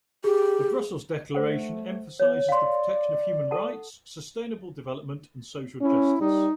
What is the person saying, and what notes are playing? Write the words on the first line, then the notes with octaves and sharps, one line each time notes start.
The Brussels declaration emphasises the protection of human rights, sustainable development and social justice.
G4 G#4
A3 C5 F#5
B3 C#5
D5 F5 C6
A4 F#5 A5
C#4 E4
G3 D#4